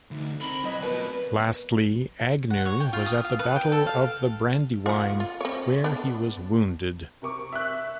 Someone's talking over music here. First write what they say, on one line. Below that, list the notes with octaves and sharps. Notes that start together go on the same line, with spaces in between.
Lastly, Agnew was at the Battle of the Brandywine, where he was wounded.
D2 D#4
C4 A#4 B5
E1 F#3 D#5 B6
B2 B3 A#4 B4 D5
F#5
C#5
G5
F4
D#6
F5
B4
G5
A4
F5
F4 F#5
F4
C4 C#5
B3 D4
C3 A#4 C#6 D6
E5 F#6